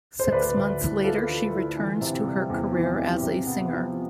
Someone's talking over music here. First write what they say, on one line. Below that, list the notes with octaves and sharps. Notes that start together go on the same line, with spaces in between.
Six months later she returns to her career as a singer.
C5
D2 B4 D5
D2
E4
A3 F4 A4
D3
E4
E3
C3
G3
E2
E3
G3
C3
B3
F3